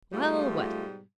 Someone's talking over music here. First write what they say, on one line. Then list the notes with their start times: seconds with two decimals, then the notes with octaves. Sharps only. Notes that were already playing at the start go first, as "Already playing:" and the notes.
"Well, what?"
0.13 G#2 B2 G3 A3 F4